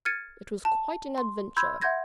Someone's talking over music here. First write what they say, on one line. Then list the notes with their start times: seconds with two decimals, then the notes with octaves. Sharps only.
"It was quite an adventure."
0.05 F6 G#6 A6 C#7 D#7
0.65 A5
1.18 C6
1.57 B5 C6 E6 G6 G#6
1.81 E5 F#5 C6 G6 G#6 A#6